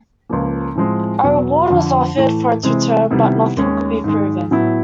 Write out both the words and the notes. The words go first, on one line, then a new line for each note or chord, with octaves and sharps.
A reward was offered for its return but nothing could be proven.
C#2 C#3 F3 A#3
A2 F3 G#3 C4
E2 B2 F#3
F2 D3 F3
A2 E3 A3
C3 E3 G#3 C4
C3 D#3 G3 B3 E4
D#2 D#3 G#3 C#4
G#2 D#3 G#3
A2 F#3 B3 E4